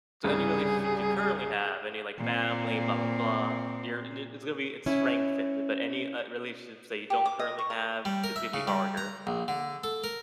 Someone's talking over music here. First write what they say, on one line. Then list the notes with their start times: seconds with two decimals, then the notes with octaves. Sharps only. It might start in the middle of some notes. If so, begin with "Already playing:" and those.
So, any relationships you currently have, any, like, family, blah, blah, blah, you're and i it's gonna be it's strengthened. But any, uh, relationships that you don't currently have, it's gonna be harder
0.24 C2 G2 C#3 G3 G#4
2.18 A#2 C4
4.86 C#4 E4
7.10 G4
7.26 D6
7.39 D#5
7.58 C#6
7.70 A#4
8.05 G3
8.24 A#4
8.36 E5
8.54 C#3
8.67 G3
8.97 A#5
9.27 A#1
9.48 D3
9.84 A4
10.04 A#4